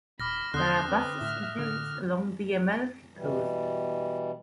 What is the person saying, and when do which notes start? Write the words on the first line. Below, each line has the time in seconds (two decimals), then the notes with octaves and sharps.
There are buses and ferries along the Amalfi Coast.
0.20 D#1 B5 D6 F6 A#6
0.54 E2 D3 C6 D#6 F#6 G6
0.88 C4 B4
1.21 A2 E5 F6
1.58 D3 F6
3.14 B2 E3 G3